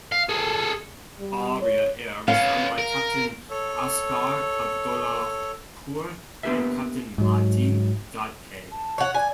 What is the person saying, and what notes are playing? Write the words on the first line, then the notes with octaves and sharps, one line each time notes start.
Aria Air was founded by Captain Asghar Abdollahpour and Captain Mahdi Dadpei.
F5
G#4 A4
G3
C#5
B3 C#4 F5
A#4
A4 C#5
A#3 B3 D4 G4 B4 E5
G#2 F#3
A5
C#5 F#5
D5 G#5